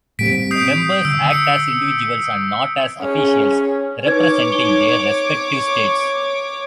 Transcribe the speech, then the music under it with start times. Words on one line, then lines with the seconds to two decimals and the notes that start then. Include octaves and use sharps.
Members act as individuals and not as officials representing their respective states.
0.19 A2 G3 C4 B6 D7
0.51 D#6 G6 C7
1.05 D3 E6
1.31 C#7
3.01 C#4 G#4
4.06 D#4 B4 C#5 D6 G#6
4.52 D#4 G7